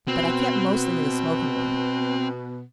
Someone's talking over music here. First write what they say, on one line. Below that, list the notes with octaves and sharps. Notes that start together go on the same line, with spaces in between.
But I kept mostly in the smoking-room.
B2 B3 C4